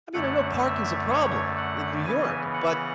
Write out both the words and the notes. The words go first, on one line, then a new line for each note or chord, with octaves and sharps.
I mean, I know parking's a problem in New York, but
F#2 D3 A3 F#5
E5
C#5
F#5
C#3 E3 B3 G#5
F#5